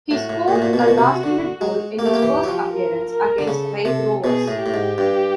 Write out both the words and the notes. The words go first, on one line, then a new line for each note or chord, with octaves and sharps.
He scored a last minute goal in his first appearance, against Raith Rovers.
A2 F#4
A2
A#2 F#4
A2
A#2
B2
A#2
B2
C3
D3
G#3
A#3 G4
A3
A#3
E3
F#3
F3
A#4
A#4
D3
C#3 A4
C3
B2 G#4
A2
G4
A2
G#2
G2